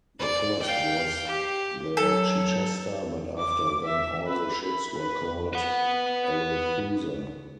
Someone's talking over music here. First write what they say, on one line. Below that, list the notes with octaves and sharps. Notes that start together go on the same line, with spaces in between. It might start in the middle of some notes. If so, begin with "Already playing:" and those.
The first was the Chichester, but after then all the ships were called Arethusa.
D5
F5 G5
G4
F#3 A4
D6
E5
B4
B5
B4
B4 F#5